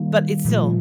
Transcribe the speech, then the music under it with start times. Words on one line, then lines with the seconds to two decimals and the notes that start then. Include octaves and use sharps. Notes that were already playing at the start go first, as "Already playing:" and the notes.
but it's still
Already playing: D#3 G3 A#3
0.45 A#2 F3 A3